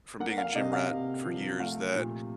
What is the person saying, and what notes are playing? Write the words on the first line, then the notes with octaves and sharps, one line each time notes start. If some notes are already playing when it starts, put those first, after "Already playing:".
from being a gym rat for years- that
A#3 F#5
F5
C3 D#5
F5
C3
F3
A3 F5
A#2